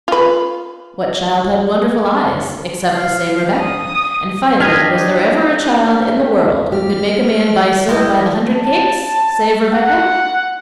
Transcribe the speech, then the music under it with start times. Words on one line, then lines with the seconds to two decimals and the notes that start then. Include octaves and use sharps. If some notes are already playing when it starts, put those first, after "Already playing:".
What child had wonderful eyes, except the same Rebecca? and finally, was there ever a child in the world who could make a man buy soap by the hundred cakes, save Rebecca?
0.08 F4 B4
2.94 F5
3.61 D#6
4.60 D4 G4 D#5 F6 G#6
6.72 G4 F6
7.89 G#3 E4 D#5 G5
8.57 A5
9.72 F#5